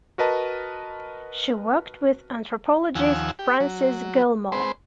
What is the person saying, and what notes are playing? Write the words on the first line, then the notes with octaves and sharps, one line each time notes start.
She worked with anthropologist Frances Gillmor.
F#4 A#4 B4 D#5 A5 A#5
D#2 F3 F#5 G#5 E6
G4
F#3
G#3 C4 B4 C5